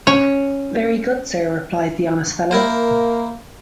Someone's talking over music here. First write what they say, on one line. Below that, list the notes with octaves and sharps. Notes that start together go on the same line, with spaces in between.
"Very good, sir," replied the honest fellow.
C#4 C#5
A#3 E4 A#4 C5